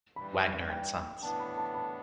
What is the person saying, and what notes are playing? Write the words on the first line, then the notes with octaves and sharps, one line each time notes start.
Wagner and Sons.
G2 E3 G3 B5
G5
A2 E3 B3 D4 A5
B5
A5
B5